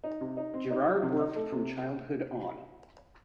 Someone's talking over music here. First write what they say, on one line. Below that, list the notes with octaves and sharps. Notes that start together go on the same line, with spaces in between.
Girard worked from childhood on.
D#4
C3
D#4
C4
D#4
F#3
C3
D#4
A3
C3